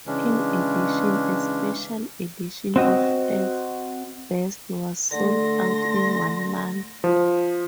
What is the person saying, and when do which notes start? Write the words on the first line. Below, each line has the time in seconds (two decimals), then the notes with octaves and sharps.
In addition, a special edition of "F" Best was sold out in one month.
0.07 C#3 E3 G#3 C#4 D4
2.76 C4 F#4 D#5
5.11 D3 A3 C6 A#6
7.04 F3